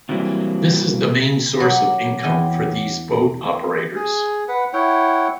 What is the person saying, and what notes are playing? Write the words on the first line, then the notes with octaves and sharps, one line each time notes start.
This is the main source of income for these boat operators.
C3 E3 F#3 G3 A#3 C4
F#3 C#5 F#5 D6
E2 G5 G#5
G#4
B4 F#5
E4 C#5 F#5 G5